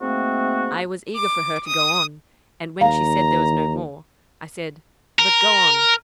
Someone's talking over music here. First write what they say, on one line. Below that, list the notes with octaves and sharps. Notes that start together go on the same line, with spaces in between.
I was eager for her to go on, and when she said there was no more, I said, 'but go on!
G#2 A3 A#3 C4 F#4
D6
D#6
D#2 F5 A#5
A#4